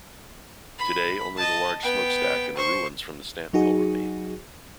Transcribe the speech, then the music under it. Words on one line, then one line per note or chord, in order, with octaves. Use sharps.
Today, only the large smokestack and the ruins from the stamp mill remain.
B5
D#5 A5
B3 G5
C5 C#6
F#3 D#4 F#4 G#4